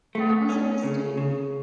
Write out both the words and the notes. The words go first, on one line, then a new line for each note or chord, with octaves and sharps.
That was a mistake.
A3
C#4
C#3
C#3